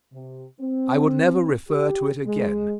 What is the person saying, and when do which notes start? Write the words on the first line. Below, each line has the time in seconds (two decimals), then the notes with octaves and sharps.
I will never refer to it again.
0.13 C3
0.61 C4
1.68 G4
2.25 G#3